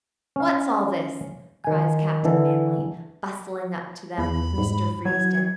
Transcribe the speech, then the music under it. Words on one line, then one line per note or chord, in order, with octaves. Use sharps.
"What's all this?" cries Captain Manly, bustling up to them with Mr. Freesden.
C#4 F5
D#3 G#5
D3 E3 A4
E2 B5
G#2
F#3 G#6